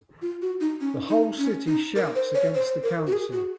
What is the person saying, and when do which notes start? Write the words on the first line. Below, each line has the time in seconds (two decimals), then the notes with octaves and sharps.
The whole city shouts against the Council.
0.22 F4
0.42 F#4
0.60 D#4
0.81 C#4
1.08 D#4
1.38 C#4
1.67 D#4
1.96 A#4
2.15 C5
2.35 C#5
2.55 C5
2.83 A#4
3.07 F#4
3.12 G#4
3.32 F#4